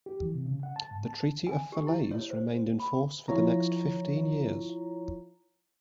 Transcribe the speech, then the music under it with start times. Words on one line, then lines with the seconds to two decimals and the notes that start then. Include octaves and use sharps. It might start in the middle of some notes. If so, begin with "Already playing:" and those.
The Treaty of Falaise remained in force for the next fifteen years.
0.06 G4
0.22 E3
0.34 C3
0.46 C#3
0.63 F#5
0.76 A5
0.91 G#2
1.05 A5
1.47 G#5
1.72 G4
1.87 E4
2.11 C#5
2.30 C5
2.80 B5
3.28 F3 E4 F4 C#5 A#5